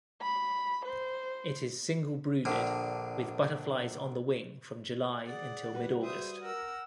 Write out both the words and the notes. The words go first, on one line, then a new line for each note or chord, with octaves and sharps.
It is single brooded, with butterflies on the wing from July until mid-August.
B5
C5
A#1 D3
G#4 D5 F#5
G3 F#4 B4
G#4 C5 E5 D#6
A#4 F#5 E6